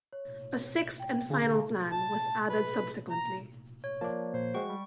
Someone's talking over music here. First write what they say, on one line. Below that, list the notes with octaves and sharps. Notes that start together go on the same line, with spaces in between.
A sixth and final plan was added subsequently.
C#5
G5
D3 G#4 F5 A#5
A5
B4
A#5
C#5
F3 A#3 D5 A5
A#2 C5
G#3 F#4 G5 C#6
G3